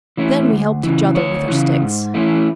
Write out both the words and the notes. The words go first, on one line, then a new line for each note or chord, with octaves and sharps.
Then we helped each other with our sticks.
E3 A3 C#4 E4
D2
C#3 E3
D2 C#5
C#3 E3
G#2
E3 A3 C#4 E4